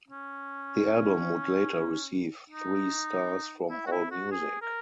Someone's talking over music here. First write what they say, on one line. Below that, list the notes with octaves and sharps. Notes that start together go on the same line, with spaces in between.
The album would later receive three stars from Allmusic.
C#4
D#4
E4
F#4
E4
F#4
G#4
A#4